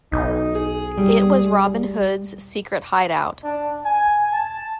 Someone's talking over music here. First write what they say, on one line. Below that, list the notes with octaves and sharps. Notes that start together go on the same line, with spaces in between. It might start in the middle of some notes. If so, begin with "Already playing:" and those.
It was Robin Hood's secret hideout.
B1 D#4
G#4
G3
D4
G#5
A5